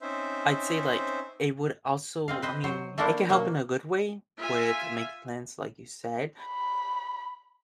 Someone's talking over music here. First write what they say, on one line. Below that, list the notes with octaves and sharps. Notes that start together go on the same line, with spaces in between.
I'd say, like, it would also I mean, it can help in a good way with making plans, like you said,
C4 C#4 D#4 C5 E5
C4 D#5 F5
B4 C5 D#5
F#3 C5
A3 A#3 D4 E4 A#4 C5
B2 F#3 A#3
F4 E5 G#5
B5